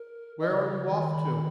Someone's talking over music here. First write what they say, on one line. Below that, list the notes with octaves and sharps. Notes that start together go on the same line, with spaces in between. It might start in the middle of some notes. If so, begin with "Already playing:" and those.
"Where are you off to?"
Already playing: A#4
D#5
C#3 C#5
D#3
B5